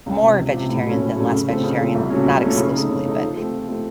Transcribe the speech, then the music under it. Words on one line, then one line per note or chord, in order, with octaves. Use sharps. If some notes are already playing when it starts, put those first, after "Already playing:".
more vegetarian than less vegetarian- not exclusively- but
C#2
C3 F3
C#2
C3 F3
A2
F#3 A3 C#4
A2
F#3 A3 C#4
C#3
F3 A3 C4
C#3
F3 A3 C4
C2
A#2 F#3 A3 C#4
C2
A#2 F#3 A3 C#4
C#3
A3 D#4
C#3
A3 D#4
F3
A3 C4
F3
A3 C4